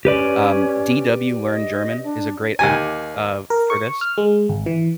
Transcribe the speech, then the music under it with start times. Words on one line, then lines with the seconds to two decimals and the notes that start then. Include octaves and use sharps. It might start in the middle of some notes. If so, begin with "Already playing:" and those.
Um, DW Learn German is a great app, uh, for this.
0.05 C#4 G4 B4 D5
1.47 D#5
2.04 D4
2.59 D#2 G4 G#5
3.50 A#4
3.70 C#6
4.01 F6
4.18 G#3
4.49 G#1
4.66 E3